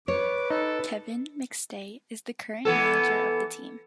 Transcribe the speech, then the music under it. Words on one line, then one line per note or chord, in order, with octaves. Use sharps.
Kevin McStay is the current manager of the team.
B4 C#5 D6
D#4 A4
E3 B3 A4